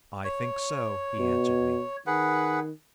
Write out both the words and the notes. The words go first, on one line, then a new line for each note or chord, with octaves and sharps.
"I think so," he answered me.
C#5
B2
D#3 G#4 B4 F#5